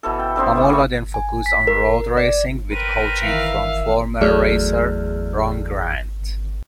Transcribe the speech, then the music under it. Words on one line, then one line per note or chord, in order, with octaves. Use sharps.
Mamola then focused on road racing with coaching from former racer, Ron Grant.
B2 E3 A4
G5
B3 C4 D4 A4
E3 G3 A3
C#3 C#6
G#5
B6
A#4
D5
C4 A#4 B4 D#7
D#3 E3 E5 F5
E2 F#3 A3 G#4 D5 F6